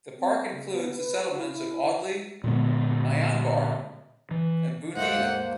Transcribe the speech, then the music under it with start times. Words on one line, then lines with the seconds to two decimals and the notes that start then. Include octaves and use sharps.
The park includes the settlements of Audley, Maianbar and Bundeena.
0.19 C4
0.53 C#3
0.73 B3
0.96 B4
1.21 F#4
1.37 E4
1.52 E4
2.44 A#2 D3 G#3 B3
4.31 E3
4.96 D#2 G#2 A3 A#3 C5 F#5